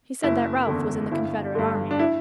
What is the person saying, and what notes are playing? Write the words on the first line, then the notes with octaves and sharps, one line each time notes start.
He said that Ralph was in the Confederate army.
F#1 E4
E2 D3
G1 E4
G2 D3
D4
E4